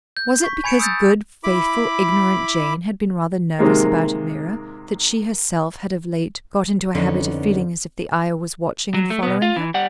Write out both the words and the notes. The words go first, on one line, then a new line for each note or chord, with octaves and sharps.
Was it because good, faithful, ignorant Jane had been rather nervous about Ameerah that she herself had of late got into a habit of feeling as if the Ayah was watching and following her.
G6
C#6 B6
G#5 B5 G#6 C#7 D7 E7
D#6 E6 G6 A6
E4 B5 D6
C3 D#3 G#3 A#3
F2 D3 B3 C#4 D#4
F#3
A3
B2 B3
F4
E3
G3 F#5